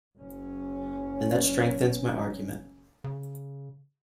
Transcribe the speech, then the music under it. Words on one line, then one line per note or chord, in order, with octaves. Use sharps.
And that strengthens my argument.
F#1 C#4
C#3